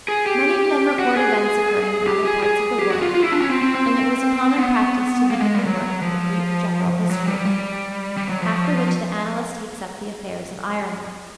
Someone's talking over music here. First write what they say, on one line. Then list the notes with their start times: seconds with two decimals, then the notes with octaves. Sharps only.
Many of them record events occurring in other parts of the world; and it was a common practice to begin the work with a brief general history, after which the annalist takes up the affairs of Ireland.
0.08 G#4
0.26 G4
0.99 F#4
1.16 G#4
2.07 G4
2.25 G#4
2.43 G#4
2.79 G4
2.91 F#4
3.02 F4
3.15 F4
3.24 E4
3.32 D4
3.41 C#4
3.50 C4
3.62 C4
3.75 C4
4.58 B3
5.31 A#3
5.41 G#3
5.54 G3
5.66 F#3
6.02 F3
7.10 F#3
7.28 G3
7.46 G3
8.17 G3
8.29 F#3
8.42 F3